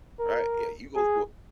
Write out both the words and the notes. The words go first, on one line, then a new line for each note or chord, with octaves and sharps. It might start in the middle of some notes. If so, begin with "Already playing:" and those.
right. Yeah, you go through it
A#4
G#4